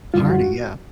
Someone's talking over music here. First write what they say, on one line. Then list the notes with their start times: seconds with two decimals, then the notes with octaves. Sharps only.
Hardy, yeah.
0.14 F#2 D3 G3 F4
0.30 F#4